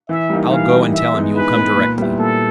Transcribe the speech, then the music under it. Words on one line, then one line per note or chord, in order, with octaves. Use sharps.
"I'll go and tell him you will come directly."
E3 E5
G3 A#3 D#4
E3 F5
G3 A#3 D#4
E3 E5
G#3 B3 D#4
E3 B4
G#3 B3 D#4
A#2
G3 B3 E4
A#2 A4